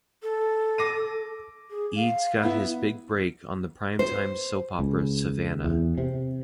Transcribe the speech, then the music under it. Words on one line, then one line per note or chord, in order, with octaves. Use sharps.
Eads got his big break on the primetime soap opera "Savannah".
A4
D6 A#6 D#7
G#4
F5
B3 E4
C5
C#2
E2
C3